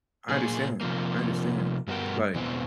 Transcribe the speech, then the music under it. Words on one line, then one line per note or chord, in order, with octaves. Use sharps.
I understand, I understand. Like
A#2 G#4
C3 F3 A#3
G2 B3 F#4 A#4 G5
E2 B2 E3 C4